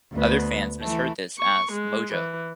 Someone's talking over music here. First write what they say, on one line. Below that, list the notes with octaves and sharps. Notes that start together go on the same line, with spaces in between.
Other fans misheard this as "Mojo".
D2 B3
E3 A3
C#6
G#3
E3